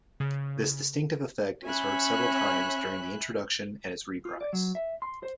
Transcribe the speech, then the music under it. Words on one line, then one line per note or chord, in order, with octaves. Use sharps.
This distinctive effect is heard several times during the introduction and its reprise.
C#3
C#4 C#5 E5 G#5 B5 F#6
F4
D5
F#3
E5
C6
C5